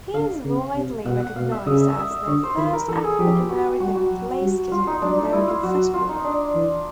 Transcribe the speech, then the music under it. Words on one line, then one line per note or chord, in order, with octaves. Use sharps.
He is widely recognized as the first African American placekicker in American football.
D3 F5
C#3
C3
B2 F#5
F#5
B2 F5
E5
C#3 D#5
E5
D#5
E5
D#5
D3 C#5
C5
D#3 B4
A#4
E3 A4
G#4
F3 G4
F#4
G3 F#4
F#4
F#3
G3
G3 F4
D#4
F#3 D4
D#4
G3 E4
F4
F#3 F#4
F4
D#4
D4
E3